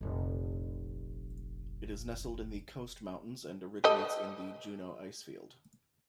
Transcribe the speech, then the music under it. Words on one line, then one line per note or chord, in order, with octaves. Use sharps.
It is nestled in the Coast Mountains and originates in the Juneau Icefield.
F1 A#1
G4 A4 D#5